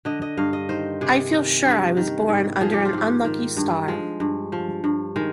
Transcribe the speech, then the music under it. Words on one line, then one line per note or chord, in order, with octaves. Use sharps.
I feel sure I was born under an unlucky star.
D3 D#5
D#5
G2 F5
D#5
D#3 C5
C3 G#4
D#3
G2
D#3
G#2
F3 G#4
G4
F4
G#2 G4
D#3
G2
F3 G#3
G2
F3
G2
D#3 G#3